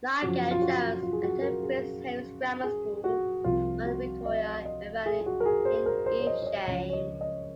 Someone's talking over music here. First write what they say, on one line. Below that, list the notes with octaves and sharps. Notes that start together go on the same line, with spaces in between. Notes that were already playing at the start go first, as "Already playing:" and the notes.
Nigel Jones attended Prince Henry's Grammar School on Victoria Avenue in Evesham.
F#2 C#3 F3 F#4
F4
F#4
F4
G#4
F#4
A#4
G#4
G#4
F#4
C2 C3 F3 F4
F#4
D#5
D#5
G#4
G#4
F#4
A#4
G#4
C5
A#4
C5
C#5
D#5
C#5
D#5
C#2 C#3 F3 C#5
C#5
D#5
D#5